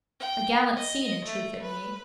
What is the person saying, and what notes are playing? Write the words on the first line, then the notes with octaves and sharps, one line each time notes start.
A gallant scene in truth it made.
G5
D#5
A3
B4